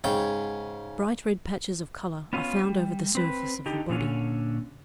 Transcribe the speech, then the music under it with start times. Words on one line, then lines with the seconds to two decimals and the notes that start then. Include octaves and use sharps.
Bright red patches of colour are found over the surface of the body.
0.04 G#2 C#3 G5
2.33 B3 C#4 F4
2.64 G3
3.15 C4 B4
3.66 D3 D#4 G4
3.89 A#2 D3 C#4